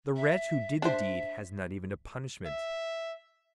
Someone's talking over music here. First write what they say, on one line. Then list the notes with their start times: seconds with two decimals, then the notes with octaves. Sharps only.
The wretch who did the deed has not even a punishment.
0.16 E5
0.82 D4 C5 E5
2.46 E5